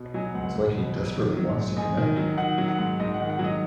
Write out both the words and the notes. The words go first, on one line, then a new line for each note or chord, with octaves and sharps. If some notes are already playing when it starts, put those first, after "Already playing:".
It's like he desperately wants to connect.
Already playing: B2
F#3 D#5 G#5
C#2 F#5
C#2
B2
F#3
D#3
F#3
G#2
G#2 D#5 G#5
D#3
F#3
D#3 F#5
F#3
F#5
G#2
G#2 D#5
F#5
D#3
F#5
F#3
D#5